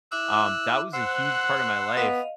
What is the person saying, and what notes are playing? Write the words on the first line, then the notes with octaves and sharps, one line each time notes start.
um, that was a huge part of my life,
E4 E5 D6 E6 F#6
C5 F#5 C6 E6 F#6
B3 D#5 F5